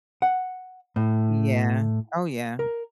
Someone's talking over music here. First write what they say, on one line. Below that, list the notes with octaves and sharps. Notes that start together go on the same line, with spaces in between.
Yeah. Oh, yeah.
F#5
A2
A#4